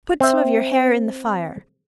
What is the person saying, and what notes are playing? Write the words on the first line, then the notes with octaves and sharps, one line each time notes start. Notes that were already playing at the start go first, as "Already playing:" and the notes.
Put some of your hair in the fire.
C4 E5